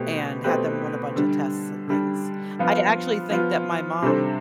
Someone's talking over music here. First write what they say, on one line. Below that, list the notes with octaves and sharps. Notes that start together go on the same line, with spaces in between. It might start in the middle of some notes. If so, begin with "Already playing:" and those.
and had them run a bunch of tests and things. I actually think that my mom,
Already playing: B2 A3 C4 G4 B4
B2 A3 C4 G4 B4
D3 G3 D4
D3 G3 D4
F3 B3 F4
F3 B3 F4
C3 G3 D4 A4 C5